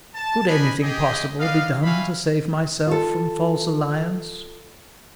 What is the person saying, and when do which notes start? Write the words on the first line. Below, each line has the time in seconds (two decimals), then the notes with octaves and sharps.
Could anything possible be done to save myself from false alliance?
0.15 A5
0.48 D4 D#4 D#5 G#5 B5
0.82 G4 G#4 D#5
1.40 B3 D5 D#5 F5
1.84 G3 F#4 E5 F5 G#5 B5
2.87 F4 A4